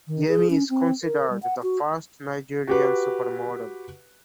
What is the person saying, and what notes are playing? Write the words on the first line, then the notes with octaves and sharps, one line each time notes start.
Yemi is considered the first Nigerian supermodel.
D#3
G#4
C#4
C4
A#4
G3
F#5
F#4
F#4 G4 B4